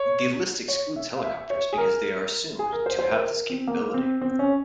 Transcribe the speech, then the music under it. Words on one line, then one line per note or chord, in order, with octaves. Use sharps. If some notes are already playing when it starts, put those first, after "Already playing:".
The list excludes helicopters because they are assumed to have this capability.
Already playing: C#5
C#5
E5
F5
E5
C#5
G#4
A#4
G#4
A#4
C5
C5
A#4
A#4
C4
A#3
C4
C4
C#4